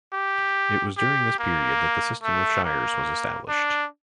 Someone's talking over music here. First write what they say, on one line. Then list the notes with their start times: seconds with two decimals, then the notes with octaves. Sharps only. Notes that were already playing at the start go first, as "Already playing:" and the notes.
It was during this period that the system of shires was established.
0.13 G4
0.97 G4
1.39 A#3
2.23 A3
2.64 A#3
3.48 D4